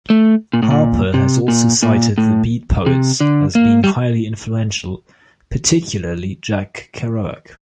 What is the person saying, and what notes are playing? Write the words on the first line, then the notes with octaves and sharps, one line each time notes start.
Harper has also cited the Beat poets as being highly influential, particularly Jack Kerouac.
A3
A#2
A2
A#2
C3
A#2
A#2
A2
C3
D3
A#3
G3